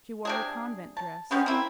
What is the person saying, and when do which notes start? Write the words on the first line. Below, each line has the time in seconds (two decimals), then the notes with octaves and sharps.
She wore her convent dress.
0.25 C3 D4 G#4
0.97 A5
1.31 G3 G#3 B3 C#4
1.46 A#3 C4 E4